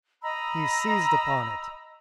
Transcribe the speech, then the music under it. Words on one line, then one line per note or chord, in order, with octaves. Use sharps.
He seized upon it.
D#5 A#5 B5 E6